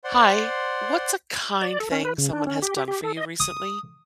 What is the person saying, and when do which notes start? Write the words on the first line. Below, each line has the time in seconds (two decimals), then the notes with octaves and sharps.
Hi. What's a kind thing someone has done for you recently?
0.04 C5 D5 F#5 C6
1.62 D5
1.80 A4
1.92 C#4
2.05 B4
2.18 C#3
2.33 D4
2.47 C#4
2.62 G4
2.77 G4
2.88 G4
3.03 A4
3.17 D#5
3.40 D#6